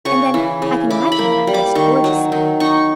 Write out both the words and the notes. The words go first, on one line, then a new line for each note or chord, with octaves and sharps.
And then I can imagine that I'm dressed gorgeously.
C#3 C#6
E3
C#3
E4 D6
B5
A#3
G3
D6
D#3 C#6
F#3
D#3
D#4 C#6